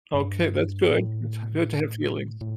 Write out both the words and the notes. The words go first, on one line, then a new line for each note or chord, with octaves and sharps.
Okay, that's good. That's good to have feelings.
G2
A2
A2